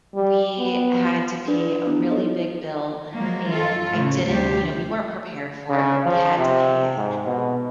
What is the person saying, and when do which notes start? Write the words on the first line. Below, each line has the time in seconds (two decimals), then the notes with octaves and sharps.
we had to pay a really big bill and I didn't you know, we weren't prepared for it, but we had to pay it.
0.15 G3
0.58 B3
1.48 D4 G#4 B4 D5
1.85 B3 E4 F#4
2.11 D#4 E4 A4 C#5 D#5
3.16 F3 F#3 G#3 A#3
3.51 F4 A4
3.92 A2 C#3
4.26 D2 C3 G3 G4 C5
5.69 C#3
6.06 F3
6.38 C3
6.97 G#2
7.27 B2